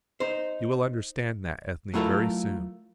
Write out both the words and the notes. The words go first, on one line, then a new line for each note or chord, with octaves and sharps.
You will understand that, Ethne, very soon.
D#4 C5
F#3 A3 E4 F4 A4 A#4